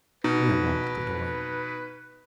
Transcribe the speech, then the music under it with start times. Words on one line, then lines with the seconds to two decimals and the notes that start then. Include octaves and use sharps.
We unlocked the door.
0.24 B2 D#4 B4